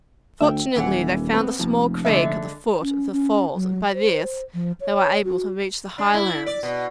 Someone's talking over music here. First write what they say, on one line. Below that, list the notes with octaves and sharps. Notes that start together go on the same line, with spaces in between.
Fortunately they found a small creek at the foot of the falls, and by this they were able to reach the highlands.
D2 E5 G5
D#1 E3 F#5
B3 C4 B4
F1 F2 A#2 F3
D3 G#3 E5
C#4
C#4
F#3
C5
F3
C#5
F#4
D4
E4
D5
B2